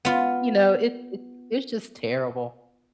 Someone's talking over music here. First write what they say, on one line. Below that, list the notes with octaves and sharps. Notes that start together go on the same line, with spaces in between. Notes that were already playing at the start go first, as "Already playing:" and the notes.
You know, it it's it's just terrible.
B3 F4